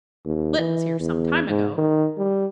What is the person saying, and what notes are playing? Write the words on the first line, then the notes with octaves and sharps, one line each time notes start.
Split was here some time ago.
D#2
E3
E2
G#2
D#3
G3